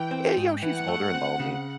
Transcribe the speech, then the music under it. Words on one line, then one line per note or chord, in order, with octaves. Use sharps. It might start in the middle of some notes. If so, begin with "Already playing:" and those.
And, you know, she's older and lonely.
Already playing: E3 G5
C4
G#2
E3 F#5
A3
C4
C#3